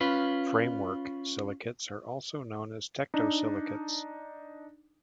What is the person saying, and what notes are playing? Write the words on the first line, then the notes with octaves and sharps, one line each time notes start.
Framework silicates are also known as tectosilicates.
C#4 F4 B4
D4 D#4